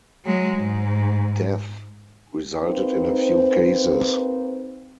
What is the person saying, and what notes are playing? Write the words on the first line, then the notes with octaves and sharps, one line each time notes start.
Death resulted in a few cases.
F#3 G#3
G#2
A#3 C4 D#4 G#4 B4 C5